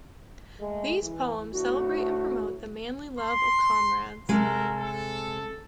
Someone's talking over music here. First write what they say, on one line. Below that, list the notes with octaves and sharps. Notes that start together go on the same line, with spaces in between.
These poems celebrate and promote "the manly love of comrades".
G#3 A3
E3
D2 A2 A3 F#4
C6
C3 G#3 F#4 A4 A#4
A4